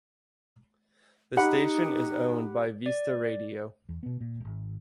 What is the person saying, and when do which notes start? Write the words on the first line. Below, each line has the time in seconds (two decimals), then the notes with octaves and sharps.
The station is owned by Vista Radio.
1.37 D#4 G4 F#5 B5
2.86 D5
3.89 E2
4.03 B2 B3
4.21 A#2
4.40 D1 G#1